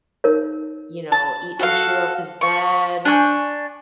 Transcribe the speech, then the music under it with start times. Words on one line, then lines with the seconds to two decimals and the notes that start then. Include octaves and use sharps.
you know, eat and chew up his bed,
0.24 D#4 A#4 C#5
1.12 A5
1.59 F#4 A4 F5
2.41 C#6
3.05 D4 G#5 C#6 G6